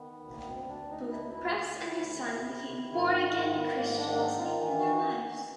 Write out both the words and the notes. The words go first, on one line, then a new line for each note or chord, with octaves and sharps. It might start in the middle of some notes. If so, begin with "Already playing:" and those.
Both "Press" and his son became born-again Christians late in their lives.
Already playing: D#3 B3
D2
A#3
B3
D2 C4
D4
D2
D#4
D2
E4
D2 E4
D2
D2
D#3
D#3
D#3
G#2 F4
F#4
D#3
F4
D#3
B3
G#2 A#3
D4
D#3
D4
D#4
D#3
F4
E3
F#4